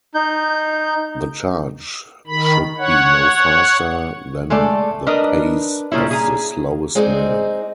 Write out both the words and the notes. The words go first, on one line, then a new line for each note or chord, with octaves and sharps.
The charge should be no faster than the pace of the slowest man.
D#4 G6
D#3 B5
C#5 F#5
G#3 A3 A4 D5
D4 A#4 B4 D#5
A#2 C#3 G3 E4
G#4 A#5
G#3 C4 D#4 G#4 C5 D5